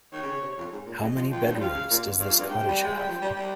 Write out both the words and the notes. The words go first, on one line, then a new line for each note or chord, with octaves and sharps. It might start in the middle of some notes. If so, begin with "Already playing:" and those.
How many bedrooms does this cottage have?
D#3 C#5
C#3
C#3
C3
F2
G#2
A#2
C#3 D#5
F3
F3 G5
C#3
D#3
G3
F3 F5
C#3
A#2
G2
G2 F5
F2
G2
G#2 G5
C3
G3
G5
G#3
G3
F3
G3
G3